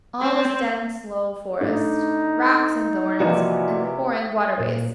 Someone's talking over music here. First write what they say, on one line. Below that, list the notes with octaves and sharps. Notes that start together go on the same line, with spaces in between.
All was dense low forest, rocks and thorns, and pouring waterways.
C4
A2 A3 D4 D#4
C3 E3 F3 A#3 F#4 D5 D#5
A#2